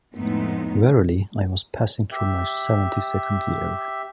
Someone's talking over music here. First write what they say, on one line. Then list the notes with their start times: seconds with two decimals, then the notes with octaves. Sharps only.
Verily I was passing through my seventy-second year.
0.14 F2 A2 G#3 A3 B3 D#4
2.11 G4 E5